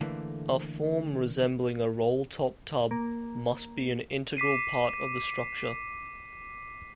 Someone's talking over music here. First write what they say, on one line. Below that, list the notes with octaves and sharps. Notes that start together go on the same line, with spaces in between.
A form resembling a roll-top tub must be an integral part of the structure.
D3 E3 A3 A#3
A#3
D6 B6 C7 D#7